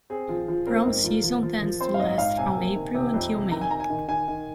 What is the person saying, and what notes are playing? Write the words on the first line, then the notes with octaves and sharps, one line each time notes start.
Prom season tends to last from April until May.
C4 G#4
F3
F3
C4 A#4
G#2
F3
F3
F3
F3
C4 C5
F5
G#2 D#5
G#2 F5
C3 G#5
A#3
D#3
C3
F2
C3
D#3 A#5
G#5
D#3 A#5
G#5
D#3
D#3 G#5
D#3